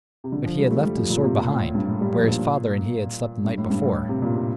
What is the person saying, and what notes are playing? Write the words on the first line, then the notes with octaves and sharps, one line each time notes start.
But he had left his sword behind, where his father and he had slept the night before.
C3
D3
F3
G3
A3
G3
F3
A#2
C3
A#2
A2
G2
A2
G3
F3
A#2
G2
A2
G2
A2
C3
A#2
C3